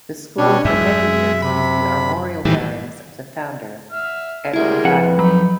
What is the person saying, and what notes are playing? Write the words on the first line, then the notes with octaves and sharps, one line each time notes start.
The school for many years used the armorial bearings of the founder, Edward Latymer.
B2 G3 C#4 D4
F#2 G#3 E5
C3 B5
A2 D#3 E3 G3
E5 F6
D2 G3 G#3 A#3 E4 E5
F2 B4 F#5
F#3 D#4 B5